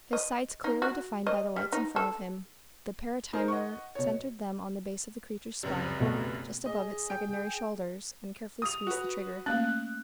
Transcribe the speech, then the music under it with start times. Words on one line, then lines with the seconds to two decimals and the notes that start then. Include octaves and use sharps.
His sights clearly defined by the lights in front of him, the paratimer centered them on the base of the creature's spine, just above its secondary shoulders, and carefully squeezed the trigger.
0.13 D#5
0.64 D#4
0.82 F#4
1.27 D#5
1.56 G3
1.72 D#4
1.96 A4
3.33 D#4 A#4 C5
3.48 D#5 F#5 C#6
3.95 B2 C#5
5.63 F1 C#2 F#2
6.00 B2 A3
6.66 G#4 D#5
7.10 G5
8.62 D#6 F7
8.87 F#4 B4
9.46 A3 A#3 C#4 F#6